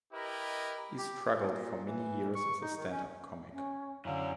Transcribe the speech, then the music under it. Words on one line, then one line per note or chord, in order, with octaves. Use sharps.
He struggled for many years as a stand-up comic.
E4 G4 A#4 B4 D#5
G4
G#2
A#2
E3
C#6
D#4
D#3
C#4
C#4
F#2 D3 E3 F#3 C#4 D5 F5